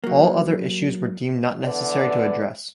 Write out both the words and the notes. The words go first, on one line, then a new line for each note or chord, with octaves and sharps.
All other issues were deemed not necessary to address.
F#3 A#3
D3 E3 B3 D5